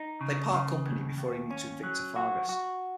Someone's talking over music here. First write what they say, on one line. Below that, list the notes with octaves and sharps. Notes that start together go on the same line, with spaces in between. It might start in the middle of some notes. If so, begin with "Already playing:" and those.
They part company before he meets with Victor Fargas.
Already playing: D#4
C#3
C#3
D#2
D#2
C#4
F#3
F#4
F#4